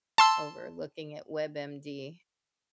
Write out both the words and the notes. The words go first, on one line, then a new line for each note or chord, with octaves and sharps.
over looking at WebMD.
A5 C6 E6